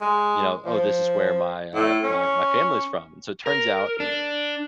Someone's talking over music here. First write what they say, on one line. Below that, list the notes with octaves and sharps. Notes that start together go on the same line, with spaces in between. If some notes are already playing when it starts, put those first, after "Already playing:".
you know, "Oh, this is where my," uh, "my my family is from," and so it turns out,
G#3
F3
A2
C#4
A#4
D4